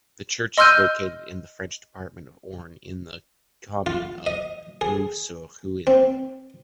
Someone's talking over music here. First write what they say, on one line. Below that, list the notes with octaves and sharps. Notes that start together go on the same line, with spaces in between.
The church is located in the French department of Orne, in the commune of Mauves-sur-Huisne.
D#5 C6 E6 F6 G6 D#7
F4
D#5
G#4
C4